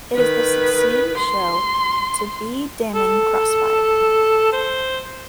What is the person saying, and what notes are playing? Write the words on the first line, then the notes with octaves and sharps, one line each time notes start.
It is the succeeding show to B-Daman Crossfire.
D#3 B4
C6
A4
C5